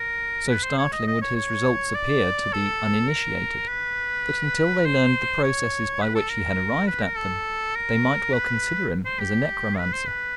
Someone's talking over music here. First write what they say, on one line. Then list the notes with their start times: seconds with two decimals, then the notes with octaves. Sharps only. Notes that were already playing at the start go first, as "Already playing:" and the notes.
So startling would his results appear to the uninitiated that until they learned the processes by which he had arrived at them they might well consider him as a necromancer.
Already playing: A#4
0.50 B4
0.64 C5
0.79 C#5
0.93 D#5
1.08 D#5
1.22 C#5
1.36 C#5
1.94 D5
2.53 A4
3.10 A#4
3.68 B4
4.85 C5
5.44 C#5
6.02 B4
6.15 A4
6.29 A#4
6.88 B4
7.03 A#4
7.17 A4
7.76 A#4
8.33 B4
9.05 C5
9.20 G4
9.78 B4
9.93 C5
10.08 B4